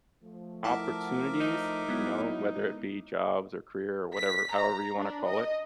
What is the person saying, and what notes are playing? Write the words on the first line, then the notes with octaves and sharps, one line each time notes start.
opportunities, you know, whether it be jobs or career or whatever however you wanna call it,
F3 A3
E4 A#4 E5 F#5 A5 D6
D#4
F#3 G#3 B3 E4
B6
A#5
D4
D#5